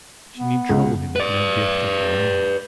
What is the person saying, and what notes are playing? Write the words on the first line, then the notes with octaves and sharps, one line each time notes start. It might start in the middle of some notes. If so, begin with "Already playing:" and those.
She need trouble him with no gift of her own.
B3
C#2
B4 D5